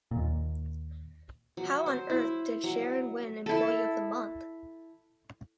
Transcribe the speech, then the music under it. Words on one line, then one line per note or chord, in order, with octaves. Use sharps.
How on earth did Sharon win employee of the month?
D#2 A#2
F#3
C5
E4
F#3
E4 A4